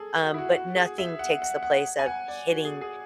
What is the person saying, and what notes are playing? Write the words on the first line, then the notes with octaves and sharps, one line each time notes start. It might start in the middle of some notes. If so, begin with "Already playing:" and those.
um, but nothing takes the place of hitting
Already playing: G#4 A4
F#4
E4
F#4
F#4
G#4
E5
F#5
F#5
F#5
G#5
F#5
D5
F#4
G#4
G#4